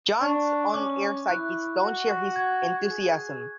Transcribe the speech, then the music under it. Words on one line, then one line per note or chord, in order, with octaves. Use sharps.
Jon's on-air sidekicks don't share his enthusiasm.
D4 C#6
C#4 D6
E4 F#6
F#4
G#6
G#4